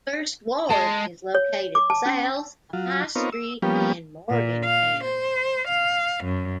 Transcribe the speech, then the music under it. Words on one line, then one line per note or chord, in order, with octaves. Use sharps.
First Ward is located south of High Street in Morgantown.
G#3 A5
C#5
D6
A5
C#4
F#3 F4
B3 C4 D#4 F4 A#4 C#5
E6
F3 G3 A#3 B3 C#4 G4
A#2
F5
C5
F5
F#2